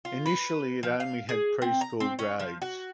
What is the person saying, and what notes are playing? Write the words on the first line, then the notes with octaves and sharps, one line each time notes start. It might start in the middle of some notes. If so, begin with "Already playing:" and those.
Initially it only had preschool grades.
F4
B4
F3
F5
G#4
C4
A#5
C4
C#4
F3
F#4